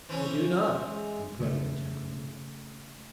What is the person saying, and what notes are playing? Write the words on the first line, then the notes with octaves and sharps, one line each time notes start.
"I do not!" replied the gentleman.
E3 C#4 C5
G#3
C#3 A3